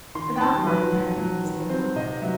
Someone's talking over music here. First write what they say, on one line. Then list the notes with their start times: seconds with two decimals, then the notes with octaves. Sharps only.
That line apparently was given up.
0.15 D#3 C6
0.36 G5
0.41 D#3 A5
0.66 F#3 B4
0.92 F#3
1.18 F#3
1.45 D#3
1.69 C4 C5
1.96 C3 D#5
2.17 D#5
2.22 F#3 E5